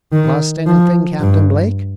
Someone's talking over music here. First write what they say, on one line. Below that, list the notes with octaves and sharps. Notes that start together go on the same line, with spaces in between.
"Lost anything, Captain Blake?"
D#3
F3
G2